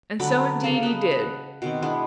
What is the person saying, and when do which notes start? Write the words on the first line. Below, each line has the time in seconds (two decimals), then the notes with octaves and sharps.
And so indeed he did.
0.19 D3 F#3 D4 B5
0.63 C#3 A#3 A4 F5
0.83 B4 D#5
1.11 F#5
1.62 B2 D#3 C4
1.82 G#3 B3 D4 E4